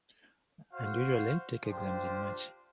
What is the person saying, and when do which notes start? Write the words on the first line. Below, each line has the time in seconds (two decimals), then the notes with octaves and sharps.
And usually take exams in March.
0.73 F#4 C5 F5
1.65 D4 F4 G4 C5